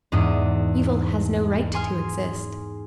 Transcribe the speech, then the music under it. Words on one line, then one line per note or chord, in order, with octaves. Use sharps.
Evil has no right to exist.
E2 G#2 D4 D#6
G#4 G#5 C6 F6